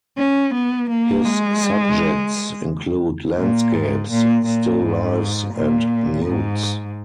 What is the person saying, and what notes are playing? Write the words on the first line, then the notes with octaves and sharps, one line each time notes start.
His subjects include landscapes, still lifes, and nudes.
C#4
B3
A#3
G#3
A#2
G#2
A#2
A#2
G#2
A#2
G#2